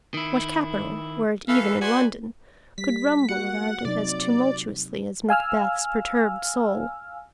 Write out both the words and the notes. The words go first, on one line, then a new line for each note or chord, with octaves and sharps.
What capital, were it even in London, could rumble around it as tumultuously as Macbeth's perturbed soul?
D#3 E4
E3 A4 B4 F5
F#4 B4 D5 G#5 C6
G3 B6
A#3 F#4 F#5
C3 F#3 D#4 D5
F5 G#5 E6 F6